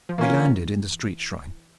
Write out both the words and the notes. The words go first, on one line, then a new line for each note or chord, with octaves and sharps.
We landed in the street-shrine.
F3
E3 A#3 C#4 F4